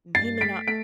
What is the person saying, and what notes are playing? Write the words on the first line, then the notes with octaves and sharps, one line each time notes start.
he may not
G2 A6 C7
A3 B6 D7
A3 B6 D7